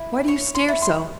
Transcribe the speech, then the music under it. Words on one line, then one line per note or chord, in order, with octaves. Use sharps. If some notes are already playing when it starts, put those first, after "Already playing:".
Why do you stare so?
Already playing: E4
C#5 C#6
C6
E4
C6